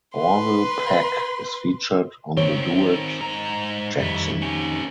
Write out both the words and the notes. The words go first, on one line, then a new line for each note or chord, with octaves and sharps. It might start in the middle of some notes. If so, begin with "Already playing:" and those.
Orville Peck is featured on the duet "Jackson".
B4 C6
D#3 C4 C#5
G#2 A#5
F2 D#3 G3 E5
C#4 G4